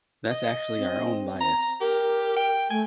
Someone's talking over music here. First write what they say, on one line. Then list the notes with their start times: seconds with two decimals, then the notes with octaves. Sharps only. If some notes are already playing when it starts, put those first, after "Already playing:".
That's actually our own bias.
0.31 D#5
0.78 C4
1.41 A#5
1.81 G4 A#4
2.37 G5
2.70 A3 G#5